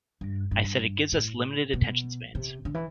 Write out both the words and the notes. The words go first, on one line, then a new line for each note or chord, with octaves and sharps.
I said it gives us limited attention spans.
G2
G2
A2
B2
C3
D3
E3